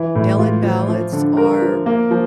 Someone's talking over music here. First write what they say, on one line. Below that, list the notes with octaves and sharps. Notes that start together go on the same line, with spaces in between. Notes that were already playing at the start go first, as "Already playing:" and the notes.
mail-in ballots are
Already playing: E3
A2
F4
F3
F3
D3
A#4
F3
A#3
F3